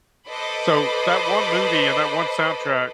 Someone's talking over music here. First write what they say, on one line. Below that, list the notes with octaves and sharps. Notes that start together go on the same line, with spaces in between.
So that one movie and that one soundtrack
A4 B4 C5 D#5 B5 D6